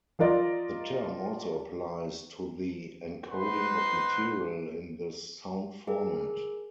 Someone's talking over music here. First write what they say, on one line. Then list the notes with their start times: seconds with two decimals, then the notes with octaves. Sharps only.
The term also applies to the encoding of material in this sound format.
0.19 F3 F4 A#4 D5 D#5
3.28 D#4 B4 C5 F#5 C6
5.88 G#4 A#4